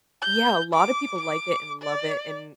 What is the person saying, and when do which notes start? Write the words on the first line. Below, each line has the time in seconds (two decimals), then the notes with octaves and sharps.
Yeah, a lotta people like it and love it, and
0.22 G6
0.73 D6
1.18 D6
1.82 D5